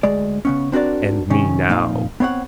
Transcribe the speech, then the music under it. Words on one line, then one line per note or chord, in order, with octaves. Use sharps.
And me now.
D2 G#3 D5
C#3 B3 C#4
C4 D4 F#4 A#4 D5
C3 D#3 C#4
F2 A#2 A#3 D#4 F5
B3 C4 C#5 D#5 F#5